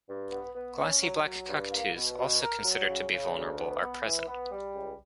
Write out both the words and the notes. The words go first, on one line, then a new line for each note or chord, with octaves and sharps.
Glossy black cockatoos, also considered to be vulnerable, are present.
G2
B3
B3
C#4
F#3
F#3
G2
A#3
B2
B2
A#4
F#3
C#3
C#3
D2
B3
B3
E3
B3
G3
C#2